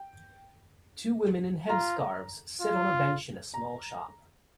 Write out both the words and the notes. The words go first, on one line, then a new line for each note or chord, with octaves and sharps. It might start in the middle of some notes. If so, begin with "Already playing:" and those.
Two women in headscarves sit on a bench in a small shop.
Already playing: G5
F4 A#5
F4
A#5